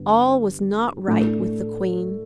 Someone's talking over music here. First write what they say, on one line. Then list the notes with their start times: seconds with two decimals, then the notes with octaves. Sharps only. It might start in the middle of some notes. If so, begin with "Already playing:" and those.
All was not right with the Queen.
Already playing: G2 D3 B3
1.07 A2 A3 D4 A4